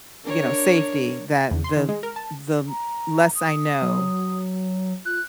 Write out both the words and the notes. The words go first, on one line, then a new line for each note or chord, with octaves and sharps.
you know, safety that the the less I know,
D4 A#4 C#5
E2
C6
D#3
G#3
A#4
A5
A#5
D#6
F#3
F4 F#6